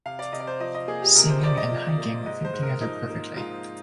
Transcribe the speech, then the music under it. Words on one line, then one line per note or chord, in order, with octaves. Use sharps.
Singing and hiking fit together perfectly.
C3 F5
D5
C3 D#5
D5
C5
F3 D#5
D#5
A#3 G#4
G4
C3 A#4
C5
C3 D5
D#5
F3
A#3
G#2 D#5
C5
G#2
A#4
F3 D#4
A#3
G#2 F4